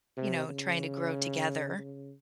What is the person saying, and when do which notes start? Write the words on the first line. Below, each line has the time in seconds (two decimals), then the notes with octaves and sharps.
you know, trying to grow together,
0.17 C3
0.48 C#3
1.78 C#3